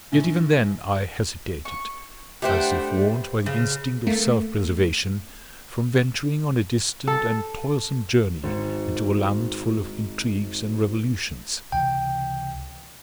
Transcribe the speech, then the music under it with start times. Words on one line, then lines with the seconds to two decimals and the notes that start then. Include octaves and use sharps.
Yet even then I hesitated, as if warned by the instinct of self-preservation from venturing on a distant and toilsome journey into a land full of intrigues and revolutions.
0.12 A#1 G#2
1.65 C#6
2.42 A3 D4 G4 B4 C5 F#5 G5
3.46 C#3
4.07 A3 A#3
7.07 A4
8.43 G#1 C#7
11.72 C#2 C3 E3 G5